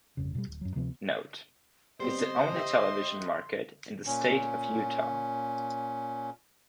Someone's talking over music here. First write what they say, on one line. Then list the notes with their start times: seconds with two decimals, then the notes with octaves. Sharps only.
Note: is the only television market in the state of Utah.
0.17 G1 F2 C#3
0.35 B2 F3 G3
0.47 D1
0.61 F#2 F#3
0.75 D2 C3 F3 B3
2.00 G3 B3 C4 C5 D#5 C6
2.56 G4 E5
4.07 A#2 C#4